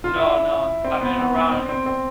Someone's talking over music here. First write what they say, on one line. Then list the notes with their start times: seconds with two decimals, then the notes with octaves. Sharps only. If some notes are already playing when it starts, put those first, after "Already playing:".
No, no, I've been around
0.04 F4
0.16 E4
0.84 C4
1.01 B3
1.18 B3
1.35 B3
1.52 C4
1.69 C4
1.86 C4